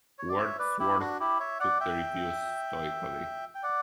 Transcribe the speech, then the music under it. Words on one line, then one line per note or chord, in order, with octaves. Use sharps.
Wordsworth took the reviews stoically.
C#5
D5
C#5 E5
B4 D5
E4 G4
D4 F#4
E4 G4
C#5 E5
D5 F#5
E5 G5
G5
D5 F#5